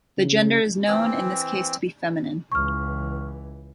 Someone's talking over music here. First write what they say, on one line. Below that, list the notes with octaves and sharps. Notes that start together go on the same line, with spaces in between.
The gender is known in this case to be feminine.
C#3
E3 C4
C#2 E3 C#6 F6